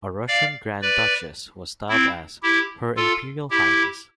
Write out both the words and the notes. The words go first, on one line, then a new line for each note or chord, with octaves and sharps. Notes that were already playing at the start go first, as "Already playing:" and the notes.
A Russian Grand Duchess was styled as, "Her Imperial Highness".
D5 F5
B4 D5
C4 E4
E4 G4
F4 A4
E4 G4